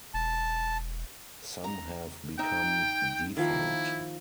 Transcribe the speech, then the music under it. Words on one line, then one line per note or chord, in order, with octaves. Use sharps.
Some have become defunct.
E1 A5
A#5
D#4 E5 G5
D#3 F3 A#3 E4